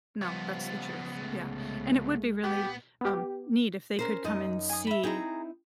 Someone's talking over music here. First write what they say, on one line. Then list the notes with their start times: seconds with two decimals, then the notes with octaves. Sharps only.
No, that's the truth, yeah, and it would be really, um, neat, if they could come and see
0.21 C#2 F3 G3 B3
1.17 C2 G#3 A3
2.44 A#2 B3 G4
3.01 B3 G4
3.99 C#4 A#4 C5
4.24 F#2 D#4 D#5
4.69 G#5 D#6
4.87 E5 B5
5.03 C4 D#4 E4 G#4 A#5